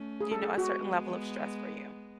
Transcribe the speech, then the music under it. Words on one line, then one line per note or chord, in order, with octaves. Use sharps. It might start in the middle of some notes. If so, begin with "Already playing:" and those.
you know, a certain level of stress for you?
Already playing: A3 C#4
G#4
A4
G#4
G#3 B3 F#4